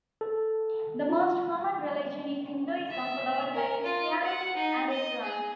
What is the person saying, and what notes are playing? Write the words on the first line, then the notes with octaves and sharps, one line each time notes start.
The most common religion is Hinduism, followed by Christianity and Islam.
A4
F4
E5
A#4
F4
F#5
D#4
D#5
G#4